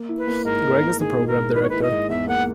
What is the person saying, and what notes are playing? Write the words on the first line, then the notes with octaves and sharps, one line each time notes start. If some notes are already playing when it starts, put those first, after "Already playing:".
Greig is the Program Director.
Already playing: A#3
E4
B4
A#3
G#2 A#4
G#2
A#3
D#3 G#4
A#3
A#4
G#2
D#3 B4
C#5
E4 B4
D#5
G#2
E2 E5
A#3 F#5